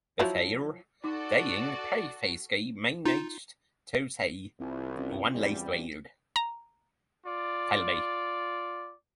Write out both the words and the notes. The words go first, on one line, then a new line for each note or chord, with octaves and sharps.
Before dying Petrofsky manages to say one last word: "Philby".
F3 F#3 E4
D#4 F#4 A4 D5 D6
D#4 F4
C2 C4 E4 F4
C4 C#4 F4
E2 G3
A#5
F4 D5